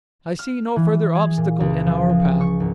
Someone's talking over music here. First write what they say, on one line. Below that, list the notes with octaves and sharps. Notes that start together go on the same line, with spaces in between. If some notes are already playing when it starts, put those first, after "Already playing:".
I see no further obstacle in our path.
F6
E3
G#4
A#2
C#2
F3
G#3
C#6
G#1